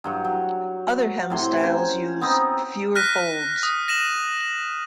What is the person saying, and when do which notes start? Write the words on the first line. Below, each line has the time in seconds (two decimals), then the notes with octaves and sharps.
Other hem styles use fewer folds.
0.04 G2 F#3 C#6
0.24 F#3
1.30 A2 C3 C6
1.61 C#4 C5 G#5 A#5
2.21 B3 C4 D#4
2.95 F6 F#6 A#6 B6 D#7
3.63 D#6
3.88 A#6 D#7 E7 F#7